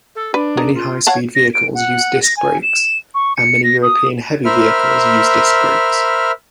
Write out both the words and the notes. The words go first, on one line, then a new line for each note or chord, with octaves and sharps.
Many high-speed vehicles use disc brakes, and many European heavy vehicles use disc brakes.
A4
D4 B4
G#4 A#4
F4
C#5 F5 F#5 A5
A#6
D7
F#5
A#6
G#5
E7
C#6
C#7
A#6
D#6
A#4 C5 E5 B5 F6